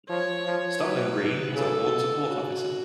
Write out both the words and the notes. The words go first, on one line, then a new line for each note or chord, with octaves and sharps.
Stockland Green has a Ward Support Officer.
F3 C#5
F3
F#3 B4
C#3 A4
B2
C#3 F#4